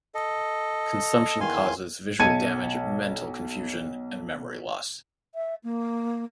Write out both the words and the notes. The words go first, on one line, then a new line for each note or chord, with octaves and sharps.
Consumption causes visual damage, mental confusion, and memory loss.
A4 D#5
E2 D#3 F5 G#5 C6
B1 A5 G#6 C#7 D#7
E5
A#3